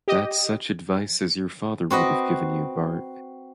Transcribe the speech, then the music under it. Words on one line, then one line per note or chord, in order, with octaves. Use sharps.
That's such advice as your father would have given you, Bart.
G4 D#5
C4 F#4 B4 D#5